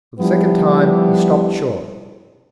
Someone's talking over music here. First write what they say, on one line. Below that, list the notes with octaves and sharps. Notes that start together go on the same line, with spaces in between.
For the second time, he stopped short.
F3 G3 B3 D4 E4 G4